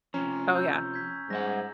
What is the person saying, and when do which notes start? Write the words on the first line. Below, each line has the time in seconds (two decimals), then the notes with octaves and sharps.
Oh, yeah.
0.14 C3 F3 C#4 A#5
0.55 C#6 E6 G6
0.94 G6 G#6 B6
1.30 G#2 G3 E5 F#5 A#6